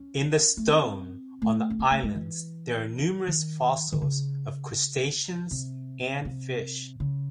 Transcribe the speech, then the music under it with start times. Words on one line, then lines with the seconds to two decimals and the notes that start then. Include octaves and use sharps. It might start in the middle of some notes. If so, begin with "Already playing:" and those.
In the stone on the islands there are numerous fossils of crustaceans and fish.
Already playing: C#4
0.57 A3
0.67 C4
1.42 A3
1.70 C#4
1.79 C4
1.91 A3
2.03 G#3
2.16 E3
3.27 D#3
3.92 D#3
4.02 C#3
5.51 C3
6.25 C3
7.00 C#3